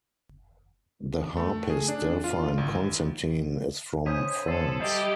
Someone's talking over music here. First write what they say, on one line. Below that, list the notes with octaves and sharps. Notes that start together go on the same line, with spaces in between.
The harpist Delphine Constantin is from France.
A3
G#4
D4
F4
G#1
D3 C5 C#5 G#5 D#6 G#6 B6 D#7
A4 E6 A6 C7
G3 G4 D#5 E5 D#6 G6 C7